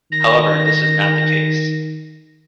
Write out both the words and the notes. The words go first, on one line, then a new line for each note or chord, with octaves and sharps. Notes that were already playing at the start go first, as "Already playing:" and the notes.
However, this is not the case.
D#3 A#6